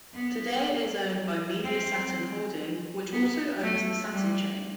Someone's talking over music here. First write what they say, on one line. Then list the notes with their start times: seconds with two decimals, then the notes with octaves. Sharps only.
Today it is owned by Media-Saturn Holding, which also owns the Saturn chain.
0.13 B3
1.64 C4
3.13 B3
3.63 A3
4.14 G3